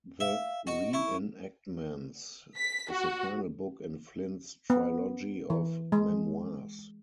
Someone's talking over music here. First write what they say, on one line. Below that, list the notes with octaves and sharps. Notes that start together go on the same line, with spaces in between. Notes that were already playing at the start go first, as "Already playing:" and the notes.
"The Reenactments" is the final book in Flynn's trilogy of memoirs.
E5 F5
F#4 D#5
E4 C#6
B6
F#4
B3
E3
G#3